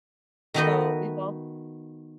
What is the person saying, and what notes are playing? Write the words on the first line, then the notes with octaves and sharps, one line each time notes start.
so we both
D#3 A3 B3 D#4 F#4 D#5